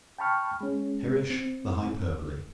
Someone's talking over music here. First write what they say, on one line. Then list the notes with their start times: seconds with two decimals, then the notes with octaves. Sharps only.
Perish the hyperbole!
0.18 G5 A5 B5 C#6 F6
0.61 G#3 C#4
1.30 C4